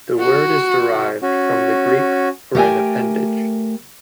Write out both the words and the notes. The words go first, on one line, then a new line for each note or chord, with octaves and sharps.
The word is derived from the Greek for an appendage.
F#4
C#4 F#4
A3 G4 A#4 F5 G5 G#5